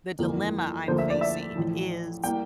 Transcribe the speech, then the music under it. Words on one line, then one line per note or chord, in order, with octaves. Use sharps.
the dilemma I'm facing is
G1 F2 E3 G3 A#3
D2 D3 F3 A#3 C5
E5
D5
E5
A1 A2 F3
A2 G3 A#3 G5